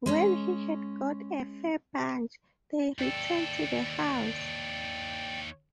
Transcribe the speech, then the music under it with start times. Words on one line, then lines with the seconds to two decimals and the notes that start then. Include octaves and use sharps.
When he had got a fair bunch, they returned to the house.
0.06 G#3 C#4 C#5
2.99 D#2 A4 D5 G5